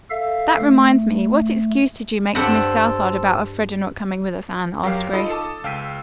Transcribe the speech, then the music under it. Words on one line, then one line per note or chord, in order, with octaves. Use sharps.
"That reminds me, what excuse did you make to Miss Southard about Elfreda not coming with us, Anne?" asked Grace.
A4 E5 F5
A3
G2 C4 A4 F#5 B5
F#2 F#3 G4 A#4 F5 C7
D#4 F4 A4 D#5 B5
A4 A5 D6 D#6
C#2 F5 G5 E6 B6 D#7